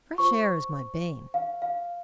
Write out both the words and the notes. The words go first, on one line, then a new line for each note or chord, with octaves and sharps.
Fresh air is my bane.
F4 C5 C#6
F5
F5